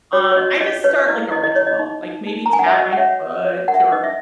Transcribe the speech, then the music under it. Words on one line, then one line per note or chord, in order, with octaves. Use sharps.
um, I just start like a ritual, like maybe tap my foot or
F#4 C#5
C#5
F#4 D#5
C#5 D#5
B4 C#5
E4 D#5
E4 D#5
D#5
E4 C#5
D#5
D#4
D#4
D#4
A#5
A#4 G#5
F#5
E5
F#4 D#5
F#5
C#5 E5
C#5
C#5
A#4 F#5
E5
F#5
D#4 D#5
E5